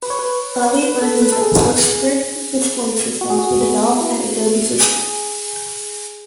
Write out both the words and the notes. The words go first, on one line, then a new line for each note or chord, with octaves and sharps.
Early versions of PostScript display systems were developed at Adobe Systems.
B4
C#5
B4
B4
A4
B4
A4
G#4
G#4
F#4
G#4
F#4
B3
E4
G#4